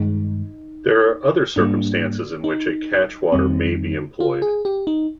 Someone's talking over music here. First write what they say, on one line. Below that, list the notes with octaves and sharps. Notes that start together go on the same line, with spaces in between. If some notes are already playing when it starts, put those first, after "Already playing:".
There are other circumstances in which a catchwater may be employed.
Already playing: G2 D#3 G#3 D#4
G#2 G3 A#3 D4
D#4
F2 D#3 G3 C4
F4
G#4
G4
D#4